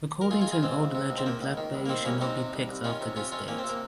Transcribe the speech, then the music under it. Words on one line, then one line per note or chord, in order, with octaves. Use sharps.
According to an old legend, blackberries should not be picked after this date.
A#4
C#2 F4 G#4
F4 G#4
C#2
F4 G#4
C#2 C4
C#2
C3
C#2
C4
F3 A#3
C#2
D#3
C2
A#3
D#3 C4
C2 A#3 C#4
C3 C4 D#4
C3
C2
C2
D#3 C#4 F4
C3
C3 C#4 F4
F2 C#4 F4
F2 A#3 C#4
C4
C3 A#3